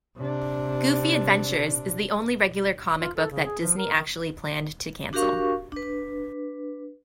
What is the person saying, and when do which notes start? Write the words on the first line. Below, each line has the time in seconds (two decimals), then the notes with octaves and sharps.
Goofy Adventures is the only regular comic book that Disney actually planned to cancel.
0.17 C3 D4
3.01 F4
3.17 A4
3.31 C#3
3.45 G#4
3.60 F3
3.78 A#4
3.92 D#3
5.13 D4 F#4 G4 A#4 F5 C#6
5.72 D4 B4